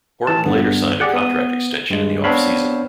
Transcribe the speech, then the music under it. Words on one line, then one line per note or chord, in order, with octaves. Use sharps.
Horton later signed a contract extension in the off-season.
E3 A5
G2 D3 B3
G4 G#4 D5 F#5
B3 D#6
G2 G#3
B3 C4 D4 C#5 F5 B5